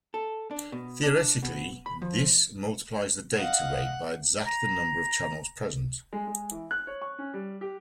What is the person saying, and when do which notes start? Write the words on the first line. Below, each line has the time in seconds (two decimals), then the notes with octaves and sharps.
Theoretically this multiplies the data rate by exactly the number of channels present.
0.14 A4
0.51 D4
0.72 B2
1.03 D4
1.42 B2
1.86 B5
2.02 F3
3.35 D#5 F5 F#5
4.46 A#5
6.13 G#3
6.27 G#3
6.51 E3
6.71 F#6
6.87 C#5
7.02 C#6
7.19 C#4
7.34 G3
7.61 G4